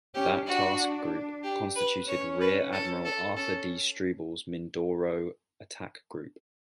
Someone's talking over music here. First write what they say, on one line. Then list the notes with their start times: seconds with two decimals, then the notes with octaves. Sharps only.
That task group constituted Rear Admiral Arthur D. Struble's Mindoro Attack Group.
0.15 C#4 G4
0.47 D4 F#4
1.43 G4
1.75 B4
2.08 C#4 C#5
2.41 B4
2.73 A4
3.05 A4
3.36 C#4 A4